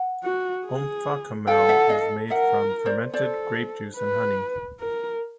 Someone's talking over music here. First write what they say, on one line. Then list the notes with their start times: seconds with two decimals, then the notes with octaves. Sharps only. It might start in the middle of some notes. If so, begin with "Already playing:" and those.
Omphacomel is made from fermented grape juice and honey.
Already playing: F#5
0.24 F#4
0.66 G#4
1.47 A4 F5 G5
1.68 E5 F#5
1.89 D#5 F5
2.30 A#4 E5 F#5
2.86 C5 D5
3.14 A4 C5 D5
3.97 B4
4.80 A#4